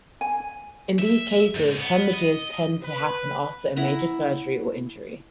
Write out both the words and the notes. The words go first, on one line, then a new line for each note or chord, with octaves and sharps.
In these cases, haemorrhages tend to happen after a major surgery or injury.
G#5
E5
G#2
B3
D#5
B4
E4 E5 F#5 A#5